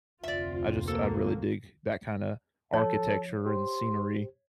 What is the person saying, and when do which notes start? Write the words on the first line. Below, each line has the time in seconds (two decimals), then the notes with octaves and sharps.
I just I really dig that kinda architecture and scenery,
0.23 F1 D2 C4 F4 D5 E5
0.87 A#3 F#4 A4
2.74 F3 A4 C#5
3.46 G4 C5 C6